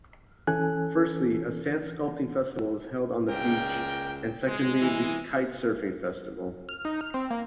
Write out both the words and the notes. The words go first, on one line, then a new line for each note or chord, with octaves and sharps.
Firstly a Sandsculpting Festival is held on the beach and secondly the Kitesurfing Festival.
E3 C#4 A4 G#5 F#6
C#2 A#4 D5 G5
G#3
E3
F6
D#4
F6
C4
A#3